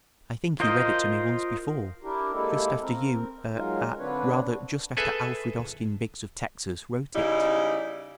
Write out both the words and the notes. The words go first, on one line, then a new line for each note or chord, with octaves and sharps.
"I think you read it to me once before, just after you--er--ah--rather just after Alfred Austin Biggs, of Texas--wrote it."
F4 A#4 C5 D#5
D4 E4 G4 A#4
G#3 A#3 E4 G4 A4
C4 A#4
F#3 G#3 D#4 F4 A#4
D3 C4 D4 B4 C#5
G#4 A4 B4 E5 G#5
C#3 G3 D#4 E4